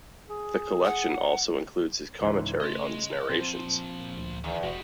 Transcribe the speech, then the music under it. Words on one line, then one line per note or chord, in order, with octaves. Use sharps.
The collection also includes his commentary on these narrations.
G#4
F#5
C#2 G#2 E3
C#3 A3 D#5 C6
A#2 F3 C4 C5
D2
E2 D#3
E1 G3 G#3 F#4